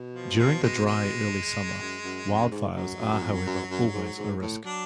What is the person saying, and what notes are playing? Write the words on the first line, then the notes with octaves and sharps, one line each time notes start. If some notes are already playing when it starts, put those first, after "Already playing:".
During the dry early summer wildfires are however always a risk.
Already playing: B2
F3
F3
G#3
G#3
F#2
F#2
F2
F#2
G#2
F#2 F#3
F#2
F#2
F2
F#2
F#2
G#2
G#2
A2
F#3 D4